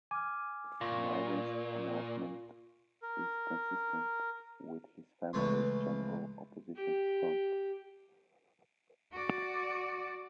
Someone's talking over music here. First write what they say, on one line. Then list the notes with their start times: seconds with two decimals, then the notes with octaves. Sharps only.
Marvin's announcement is consistent with his family's general opposition to Trump.
0.11 G#5 D6 F6
0.81 A#2 F4 C#6 A#6
3.02 A#4
5.33 C#2 E3 A3 C#5 C6
6.76 G4
9.13 F#4 D5